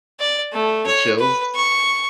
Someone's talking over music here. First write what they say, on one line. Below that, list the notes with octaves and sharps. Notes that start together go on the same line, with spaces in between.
Uh, the chills?
D5
A3
C#5
B4
C#6